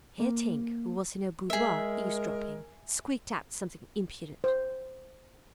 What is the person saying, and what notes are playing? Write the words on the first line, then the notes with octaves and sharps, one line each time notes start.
Here Tink, who was in her boudoir, eavesdropping, squeaked out something impudent.
A#3
G#3 G#4 A#4 E5
C5